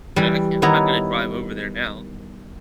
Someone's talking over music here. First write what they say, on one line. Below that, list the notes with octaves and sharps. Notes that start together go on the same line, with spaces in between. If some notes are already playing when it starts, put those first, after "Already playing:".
but I can't I'm not gonna drive over there now.
E3 G3
D#3 B3 E4 C#5 A#5